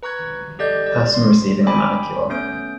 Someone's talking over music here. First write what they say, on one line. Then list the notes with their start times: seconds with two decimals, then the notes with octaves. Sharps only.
Person receiving a manicure.
0.03 B4 A#5 C#6 F#6 G#6
0.59 G4 A4 D5 D#5 G6
0.86 D5
1.14 C6
1.67 G5 G#5 B5 D6
2.29 A3 B3 C#4 D#6 G6 D7